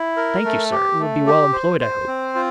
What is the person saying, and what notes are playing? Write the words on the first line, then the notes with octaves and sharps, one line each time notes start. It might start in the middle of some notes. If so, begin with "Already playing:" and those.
"Thank you, sir; it will be well employed, I hope."
Already playing: E4
A#4
A3
G4
A3
G4
C5
C5
C4
F4